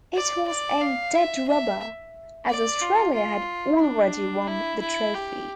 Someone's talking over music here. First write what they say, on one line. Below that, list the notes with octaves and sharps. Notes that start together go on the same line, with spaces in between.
It was a dead rubber as Australia had already won the Trophy.
D5
D5
F5
E5
E5
D5
F4
F4
D4
E4
E4
G4